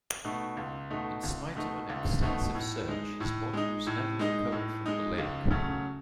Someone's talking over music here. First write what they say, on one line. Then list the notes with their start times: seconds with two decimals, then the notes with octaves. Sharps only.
In spite of an extensive search, his body was never recovered from the lake.
0.24 B2 A3 D#4
0.57 C#2
0.90 B2 A3 D#4
1.23 C#2
1.55 B2 A3 D#4
1.89 C#2
2.22 B2 A3 D#4
2.55 A2
2.88 G#3 D#4
3.20 A2
3.53 G#3 D#4
3.87 A2
4.19 G#3 D#4
4.52 A2
4.86 G#3 D#4
5.18 C#2
5.51 C#3 F#3 A3